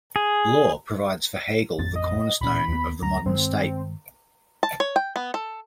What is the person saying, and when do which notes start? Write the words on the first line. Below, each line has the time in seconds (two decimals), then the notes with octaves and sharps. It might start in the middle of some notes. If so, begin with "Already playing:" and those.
Law provides for Hegel the cornerstone of the modern state.
0.16 G#4
1.79 A1 F2 C4 A6
1.96 D#5
2.41 D1 A#2 C#4 B5
2.68 D#2 B3
3.02 D2 A#5
3.26 G2 D#3 G#3 C4
4.63 A5
4.80 C#5
4.96 G5
5.16 B3
5.34 A4